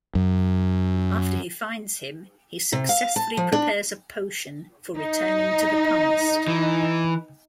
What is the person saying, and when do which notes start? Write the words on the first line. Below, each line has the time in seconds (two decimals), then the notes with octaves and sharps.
After he finds him, he successfully prepares a potion for returning to the past.
0.15 F#2
2.72 C3
2.89 F5
3.16 A5
3.37 F3
3.52 D4
4.97 D#4
6.48 E3